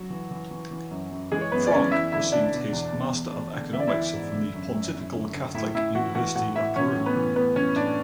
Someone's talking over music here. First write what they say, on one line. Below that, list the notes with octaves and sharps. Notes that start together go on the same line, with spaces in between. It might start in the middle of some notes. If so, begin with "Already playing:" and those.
Francke received his Master of Economics from the Pontifical Catholic University of Peru.
Already playing: F#3 F#4
E3
E3
E3
E3
F#2
F#2
E3 G#3 G#4
C#5
F#2 B3 B4
D5
E3 C#4 C#5
E2 E4 E5
D3 E4 E5
D3 D4 D5
B2
E2
E2
E2
E2
D3
E3 E5
D5
E4 E5
E3
G#2
D3
F#2
F#2
F#2
D3
D3
A2 E4 E5
A2 E4 E5
E3 F#4 F#5
E3 F#4 F#5
A2 F#4 F#5
A2 E4 E5
E3 C#4 C#5
A2
B3 B4
E3
A2 B3 B4
E3 C#4 C#5
A2 D4 D5